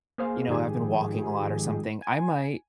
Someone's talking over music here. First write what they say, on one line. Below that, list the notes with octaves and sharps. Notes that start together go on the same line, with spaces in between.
you know, I've been walking a lot or something, I might,
A#3 G#4 C5 F5
G#2 D#3 F3 G4 G#4
G#5